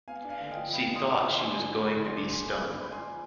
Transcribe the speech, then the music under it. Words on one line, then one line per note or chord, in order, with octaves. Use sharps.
She thought she was going to be stung.
B3 F5 G#5
D4
F5 G#5
D3
F5
D#5 G5
F3
B3 G5 B5
D4
C6 D#6
D3
B5 D6
F3
D4 G#5 C6
D3
D3
G#3
D4 C6
D3 D6
G#5 C6
D3
G#3
D4 B5 D6
B5
F3
G#5 C6
F3